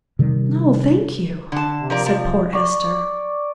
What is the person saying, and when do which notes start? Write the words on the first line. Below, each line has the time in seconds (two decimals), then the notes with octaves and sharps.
"No, thank you," said poor Esther.
0.19 C3 D#3 G3
1.52 D3 A5
1.77 C3
1.90 F3 A#4 D5
2.06 F3
2.53 D5 C#6